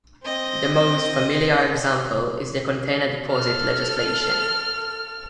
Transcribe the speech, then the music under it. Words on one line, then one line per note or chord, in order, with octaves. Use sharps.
The most familiar example is the container-deposit legislation.
C4 D#5
A4 F6